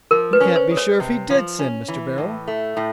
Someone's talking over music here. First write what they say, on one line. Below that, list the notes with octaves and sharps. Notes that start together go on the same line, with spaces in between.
"You can't be sure if he did sin, Mr. Beryl."
F3 A#4
B4
C#4
C5
G#3
C#5
C3
F3
C#4
E3
A2
A3
A2